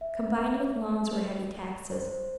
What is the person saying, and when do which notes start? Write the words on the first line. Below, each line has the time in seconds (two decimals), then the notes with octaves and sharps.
Combined with loans were heavy taxes.
0.01 E5
1.91 C5